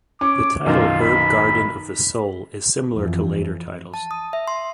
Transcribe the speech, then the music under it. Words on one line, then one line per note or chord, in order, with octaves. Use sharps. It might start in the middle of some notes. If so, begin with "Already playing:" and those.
The title, "Herb garden of the Soul", is similar to later titles.
C#4 D6
B1 F#2 D#3 F4
B5
F2 E3
A5
D#6
E5
C6